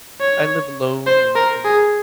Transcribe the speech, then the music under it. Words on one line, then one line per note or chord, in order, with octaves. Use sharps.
I live alone and and
C#5
C5
A#4
G#4